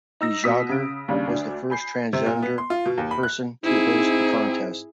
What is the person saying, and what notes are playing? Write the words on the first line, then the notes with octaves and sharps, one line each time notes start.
De Jager was the first transgender person to host the contest.
D#4 E6 A#6
B2 D#6 B6
C#3 D7
D#2 C#3 G3 D4
D2 D4
G#5 B5 G6 C7
C3
A#2
B3
C6
F4
B2
D#2
B5
F#6
G#2 C4 D#4 E4 G#4